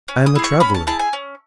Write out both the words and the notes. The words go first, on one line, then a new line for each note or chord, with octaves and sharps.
I am a traveler!
C#4
D#6
E4 G#4
C#6
C#4 B5
A5
E4 G#4 A5
G#5
C#4